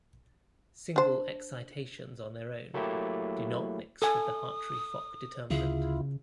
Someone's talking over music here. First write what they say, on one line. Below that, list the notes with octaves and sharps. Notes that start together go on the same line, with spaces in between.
Single excitations on their own do not mix with the Hartree-Fock determinant.
D4 C5
F#3 A3 A#3 E4 G4
A4 G#5 D#6
D2 C#3 E4 F4 G#4